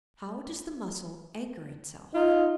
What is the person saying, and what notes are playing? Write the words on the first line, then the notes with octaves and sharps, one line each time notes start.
How does the Mussel anchor itself?
D#4 F4